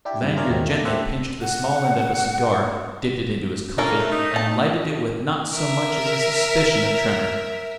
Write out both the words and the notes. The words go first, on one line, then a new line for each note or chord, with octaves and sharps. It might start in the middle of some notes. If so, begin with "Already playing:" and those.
Lanyard gently pinched the small end of a cigar, dipped it into his coffee, and lighted it with not so much as a suspicion of tremor.
D4 E4 G4
G2 A#2 C#3
E4 F4 G#4 A#4 C#5 D5
D#2 D#3 F#3 C4 D#4
A3 A#3 D4
E4 G4 A4 C5 E5 F#5
F#5
C#3 A#3 C#4 F4 A4 A#4
F#2 A3
A3 D#4
A5
A#4 E5